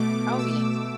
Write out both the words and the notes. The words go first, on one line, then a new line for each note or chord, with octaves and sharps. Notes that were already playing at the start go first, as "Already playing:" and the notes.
Oh, yes.
Already playing: B2 A3 D6
E6